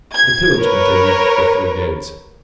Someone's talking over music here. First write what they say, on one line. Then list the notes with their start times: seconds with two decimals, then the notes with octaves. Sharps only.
The pillage continued for three days.
0.15 G#6
0.57 A#4 B4 C#5